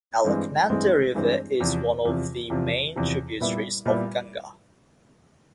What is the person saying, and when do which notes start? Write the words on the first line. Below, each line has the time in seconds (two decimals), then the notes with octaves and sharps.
Alaknanda river is one of the main tributaries of Ganga.
0.25 G2 E3 G#3 C4
0.70 G2 E3 G#3 C4
1.15 G2 E3 G#3 C4
1.60 E2 C3 F3
2.05 E2 C3 F3
2.50 E2 C3 F3
2.96 E2 C3 F3
3.41 A#2 G3 B3 E4
3.86 A#2 G3 B3 E4